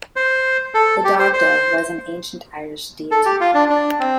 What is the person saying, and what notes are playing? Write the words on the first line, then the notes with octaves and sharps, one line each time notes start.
The Dagda was an ancient Irish deity.
C5
A4
G4
C5
C5
A4
G4
F4
D4
D4
C4